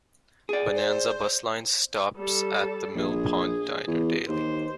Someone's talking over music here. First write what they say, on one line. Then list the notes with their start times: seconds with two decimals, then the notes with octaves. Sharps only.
Bonanza Bus Lines stops at the Mill Pond Diner daily.
0.49 G#4 D5
0.75 C5
2.16 G3 A4
2.95 A#1 G#4
3.87 E2
4.29 D#2 C5